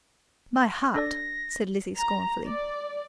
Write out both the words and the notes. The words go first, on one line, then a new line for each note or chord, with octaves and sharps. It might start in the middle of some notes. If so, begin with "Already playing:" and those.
"My heart!" said Lizzie scornfully.
D4 A4 D5 A#6
A#5
D5